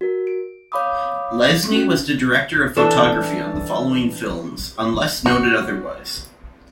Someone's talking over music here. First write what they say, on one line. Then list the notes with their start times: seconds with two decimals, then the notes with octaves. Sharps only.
Lesnie was the director of photography on the following films, unless noted otherwise.
0.01 F#4 A#4
0.27 D7
0.72 C#5 F5 B5 D6 D#6
1.71 C#4 F#4
2.77 E3 D4 A4 E5
5.26 F#4